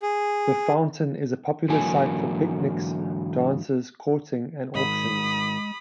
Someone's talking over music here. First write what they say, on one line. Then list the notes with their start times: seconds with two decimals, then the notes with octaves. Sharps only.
The fountain is a popular site for picnics, dances, courting, and auctions.
0.02 G#4
1.68 G#2 D3 E3 F#3 A#3 G#5
4.75 G#2 D#3 G#3 B5 D#6